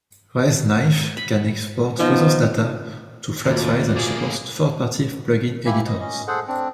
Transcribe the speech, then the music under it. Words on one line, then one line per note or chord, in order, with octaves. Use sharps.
ResKnife can export resource data to flat files and supports third-party plug-in editors.
B5
F3 B3 D#4
D#2 A#2 A3 F4 F#4 C5 D5
A#3 G#4
A#3 E4 G4 G#5
D#5
C#4 D#5
G#4 A4 C5 F#5
C4 D4